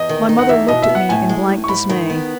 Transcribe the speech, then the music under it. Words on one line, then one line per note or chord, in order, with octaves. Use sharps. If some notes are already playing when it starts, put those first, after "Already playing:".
My mother looked at me in blank dismay.
Already playing: E2 D#5
D#3
D#4
F#5
E2 E5
B2 D#5
E5
B3
F#5
A2 G#5
G#3
A2
C#6
G#2 B5
D#3
B3